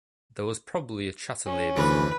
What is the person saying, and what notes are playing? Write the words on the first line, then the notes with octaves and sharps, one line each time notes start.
There was probably a Chatelier before.
C#4 C#5
D2 D3 E3 F3 B4